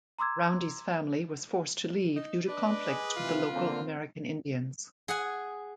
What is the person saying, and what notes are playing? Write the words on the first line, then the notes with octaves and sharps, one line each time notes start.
Roundy's family was forced to leave due to conflicts with the local American Indians.
A#5 C6 D6 E6 G#6
D#4
D4 B4 D#5 D6
G#4
C3 E3 F4
D3 A#3 C4
G#4 F#5 G#5